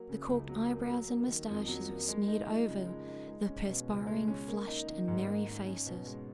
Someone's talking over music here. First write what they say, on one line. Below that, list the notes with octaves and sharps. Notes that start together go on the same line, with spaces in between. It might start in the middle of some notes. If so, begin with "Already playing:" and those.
The corked eyebrows and mustaches were smeared over the perspiring, flushed, and merry faces.
Already playing: F#3 A#3
C#3
C#2
F#3
A#3
F#3
A#3
D#3
F2
F#3
A#3
G#3
D#4
F3
C#3
G#3
D#4
G#3
C#4
B2
C#2
G#3
C#4
A#3
D#4
D#3
G#2
A#3
D#4
C#4
B2
G#3